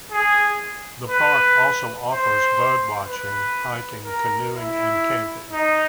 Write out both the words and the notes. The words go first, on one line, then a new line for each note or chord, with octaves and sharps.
The park also offers bird watching, hiking, canoeing, and camping.
G#4
B4
C5
B4
A#4
E4
D#4